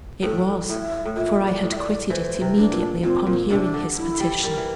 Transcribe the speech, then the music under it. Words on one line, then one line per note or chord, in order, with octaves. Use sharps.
It was, for I had quitted it immediately upon hearing his petition.
A2 A4
A2 E5
A2
A#2 E5
D5
A2
E5
D5
E3 C5
C3
D4
A#2
A#2 C4
A#2
C3 D4
D3
E4
G3
G3 A#4
E3